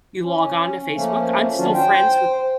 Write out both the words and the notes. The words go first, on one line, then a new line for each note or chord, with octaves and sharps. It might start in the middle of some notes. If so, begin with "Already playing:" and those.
you log on to Facebook I'm still friends with
C#4
F3 A3 A#3 C#4
D#3 F#3 C#4 D4 F4 F#4
C5 G5